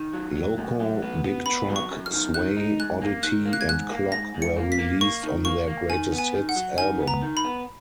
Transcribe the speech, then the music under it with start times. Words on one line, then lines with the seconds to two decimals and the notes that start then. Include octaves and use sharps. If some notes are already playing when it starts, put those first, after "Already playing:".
"Loco", "Big Truck", "Sway", "Oddity", and "Clock" were released on their greatest hits album.
Already playing: D#3
0.13 F#3
0.36 F#3
0.58 F#2
0.80 F#3
1.02 B3
1.24 B3
1.46 B3 B5
1.69 F#3
1.76 C#6
1.91 F#2
2.06 F6
2.13 D#3
2.34 D#3 F#6
2.57 D#4
2.79 G#2 F#6
3.02 A#3
3.23 D#3 F#6
3.46 A#3
3.53 F#6
3.61 G#6
3.68 G#2 F#6
3.90 A#3
4.12 G#2 A#6
4.35 G#2
4.42 C#7
4.56 A#3
4.72 B6
4.78 A#3
5.01 A#3 C#6
5.23 D#3
5.45 A#3 C#6
5.68 A#3
5.90 D#3 G#5
6.12 B3
6.18 G#5
6.34 D#3
6.49 F#5
6.56 F#3
6.78 D#3 G#5
7.00 B3
7.08 A#5
7.22 D#3
7.37 B5
7.44 B3